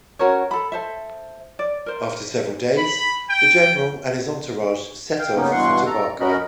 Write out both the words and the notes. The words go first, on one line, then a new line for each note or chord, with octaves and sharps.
After several days, the General and his entourage set off for Turbaco.
C#4 F#4 A#4 C#5
A4 B5
A4 C5 E5
D5
A#4 C5
B5
G5
F5 G5
C#3 A#3 B3 C#4 D#4
G2 B2 E3 F#5 C6 C#6
A4 A#5
C#4 F#4 A#4 D#5 B5